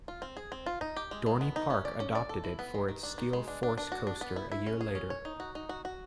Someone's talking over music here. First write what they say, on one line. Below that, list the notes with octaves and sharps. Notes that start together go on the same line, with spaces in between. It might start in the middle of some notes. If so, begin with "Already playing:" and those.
Dorney Park adopted it for its Steel Force coaster a year later.
F4
C4
G#4
C4
F4
D#4
G4
G#3
G#3
B3
D#4
C#4
D5
C#4
D5
A4
E4
B3
G#3
D#3
D4
D#3
G#3
D4
D4
D4
F#4
D4
B3
E4
E4
C#4
G#4
C#4
C#5
D#4
F#4
D#4
F#4
F#4